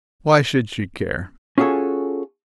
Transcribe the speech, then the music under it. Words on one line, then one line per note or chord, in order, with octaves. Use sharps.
Why should she care?
C#4 F4 F#4 G#4 A4 C#5